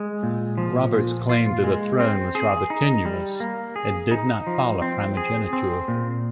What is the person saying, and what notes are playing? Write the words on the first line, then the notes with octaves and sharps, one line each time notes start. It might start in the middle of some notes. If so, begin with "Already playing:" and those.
Robert's claim to the throne was rather tenuous and did not follow primogeniture.
Already playing: G#3
A#2
F3
A#2
F4
G#3
C4
G#4
D#4
G3
A#3
G#4
D#4
F3
C4
G#4
C4
A#2